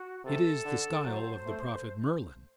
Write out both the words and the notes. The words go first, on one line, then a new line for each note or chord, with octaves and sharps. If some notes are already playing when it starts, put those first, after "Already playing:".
It is the style of the prophet Merlin.
Already playing: F#4
C3 A4
D3
F#3 C5
A3